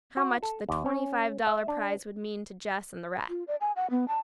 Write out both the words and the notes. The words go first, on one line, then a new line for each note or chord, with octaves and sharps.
How much the twenty-five dollar prize would mean to Jess and the rest!
F#4
A4
D#2
C#4
E5
D4
F4
D5
G#5
F#5
B3
A5